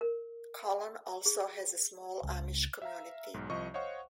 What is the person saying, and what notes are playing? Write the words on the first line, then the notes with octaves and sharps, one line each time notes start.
Colon also has a small Amish community.
A#4
G#4
C#2
E5 F5 A#5
B1 G#2
C2 F3 D#5 C#6
C5 C#5 D#5 F5 F#5 C#6